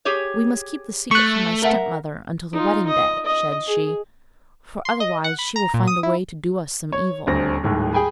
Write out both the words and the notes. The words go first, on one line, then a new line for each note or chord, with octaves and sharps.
'We must keep the secret from my step-mother until the wedding-day,' said she, 'for otherwise she will find a way to do us some evil.'
G4 G#4 C#5
A3 C#6 F#6
A#4 E5 F#5
D#4 F4
D#5
D#5
G#4
C6
D#5
F#5
B5
A#5
A#2
D#6
E4
C#5
D#1 D2 C4 A#6
D#1 D#2 A2 D#3 G#3
G#4 G5 G#5 B5